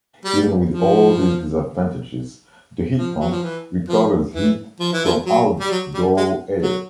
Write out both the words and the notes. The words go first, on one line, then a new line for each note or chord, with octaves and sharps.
Even with all these disadvantages, the heat pump recovers heat from outdoor air.
G3
F3
F3
F#3
F3
E3
F3
E3
F3
E3
F3
F#3
G3
F#3
G3
G#3
F#3